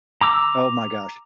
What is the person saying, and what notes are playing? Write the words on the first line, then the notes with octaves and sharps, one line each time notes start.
Oh, my gosh.
A#5 D6 E6